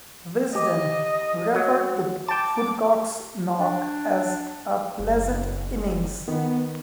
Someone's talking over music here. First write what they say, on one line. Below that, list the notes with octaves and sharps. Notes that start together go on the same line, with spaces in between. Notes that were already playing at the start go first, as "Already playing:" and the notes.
"Wisden" referred to Woodcock's knock as a "pleasant innings".
G4 D#5
F#3
G5 A5 D6
D4
F#1
D#3 B3